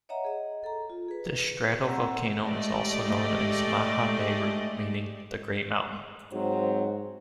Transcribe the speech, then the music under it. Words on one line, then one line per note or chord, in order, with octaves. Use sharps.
This stratovolcano is also known as Mahameru, meaning 'The Great Mountain.
C#5 D#5 E5 F#5 A#5
G#4 D#5
A4 A#5
F4
G#4 B4
C4 F#5 A#5 E6
G#3 A3 G4 D5 D#5
G#2 F#3 C4 C5